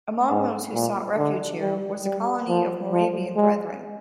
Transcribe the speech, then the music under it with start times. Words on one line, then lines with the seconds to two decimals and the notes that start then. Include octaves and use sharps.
Among those who sought refuge here was a colony of Moravian Brethren.
0.30 G#2
0.73 A#2
1.17 D3
1.61 G3
2.04 G3
2.49 F3
2.92 F3
3.36 G#3